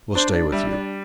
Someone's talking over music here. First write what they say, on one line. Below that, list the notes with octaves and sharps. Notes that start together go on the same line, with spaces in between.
I will stay with you.
D4 C5
D5
G3 E5
D5